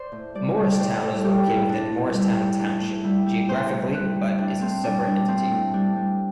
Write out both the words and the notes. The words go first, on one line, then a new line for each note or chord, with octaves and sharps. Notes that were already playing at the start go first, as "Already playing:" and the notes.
Morristown is located within Morristown Township geographically but is a separate entity.
Already playing: C5 D5
A2
G3 D5
G3
D5
A2 C5
A2 A4
G3 G4
G3 E4
A2 D4
A2
G3 E4
G3
A2 D4
A2
G3 E4
G3
A2 C5
A2
G3 B4
G3
A2 D4
A2 C4
G3 D4
G3 D4
A2 C4
A2
G3 D4
G3